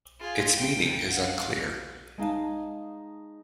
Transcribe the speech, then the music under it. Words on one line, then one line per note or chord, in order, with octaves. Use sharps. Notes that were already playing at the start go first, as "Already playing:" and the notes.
Its meaning is unclear.
F4 G#4
G5
F5 F#5
G#3 D#4 F5 A5